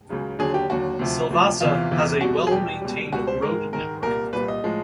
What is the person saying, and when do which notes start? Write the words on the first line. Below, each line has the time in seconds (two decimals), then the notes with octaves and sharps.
Silvassa has a well-maintained road network.
0.09 C#2 C#3 F#3
0.39 D#2 D3 F#3 G#4
0.54 G4
0.69 D#2 D3 F#3 F#4
0.99 D2 C3 F3
1.30 D2 C3 F3
1.60 E2 C3 E3 F4
1.91 E2 C3 E3
2.21 E2 B2 G3 F#4
2.47 G#4
2.51 E2 B2 G3 G4
2.82 C#2 B2 G3
3.12 C#2 B2 G3 F#4
3.27 C5
3.42 G#2 D#3 G#3 A#4
3.73 G#2 D#3 G#3 A#4
4.02 C2 A#2 G3 A#4
4.33 C2 A#2 G3 B4
4.48 D#5
4.64 A2 F3 G#3